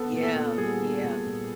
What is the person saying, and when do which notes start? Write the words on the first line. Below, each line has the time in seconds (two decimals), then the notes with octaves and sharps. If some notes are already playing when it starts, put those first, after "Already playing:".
Yeah. Yeah.
Already playing: B3 A4
0.12 A#2
0.23 A4
0.35 A#2
0.58 G3 G#4
0.80 B3
1.04 A#2
1.27 A#2